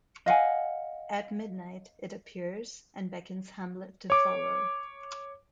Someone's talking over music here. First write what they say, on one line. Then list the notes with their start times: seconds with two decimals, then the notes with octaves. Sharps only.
At midnight, it appears, and beckons Hamlet to follow.
0.26 D#5 F5 F#5 G#5
4.10 C#5 D6